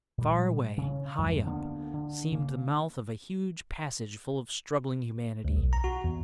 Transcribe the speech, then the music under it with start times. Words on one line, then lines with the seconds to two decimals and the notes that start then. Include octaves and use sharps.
Far away, high up, seemed the mouth of a huge passage full of struggling humanity.
0.18 A#2 G3
0.77 C#3 C#4
1.18 F2 G#2
1.47 D2 D3 A#3 B3
1.93 D3
2.32 C#3 A#3
5.45 D2
5.56 B1
5.73 A#5
5.84 F#4
6.04 E2